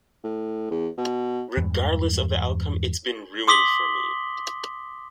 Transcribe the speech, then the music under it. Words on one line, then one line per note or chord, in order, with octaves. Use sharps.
Regardless of the outcome it's been ruined for me.
A2
E2
B2
E2 G2 E3 G#3
C6 D6 D#6 B6 F#7 G7